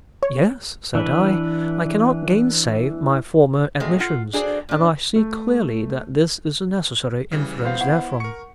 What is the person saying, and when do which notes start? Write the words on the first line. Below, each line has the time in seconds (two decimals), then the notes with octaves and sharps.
'Yes,' said I; 'I cannot gainsay my former admissions, and I see clearly that this is a necessary inference therefrom.'
0.23 C#5
0.95 E3 D4 B4
3.80 A#2 G#3 A3 C4 F#4
4.00 F4 F#5
4.33 D4 F#4 G#4 A4 C5 D5
4.69 A#2 D4
5.16 A3
7.31 C#3 E3 G3
7.64 B3 C5 F5
7.81 E4 F#5
8.20 A#4 C#6 C#7